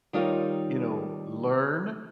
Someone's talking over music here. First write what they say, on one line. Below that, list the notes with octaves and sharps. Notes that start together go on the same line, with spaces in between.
you know, learn,
D#3 G3 D#4 F4 A#4 C#5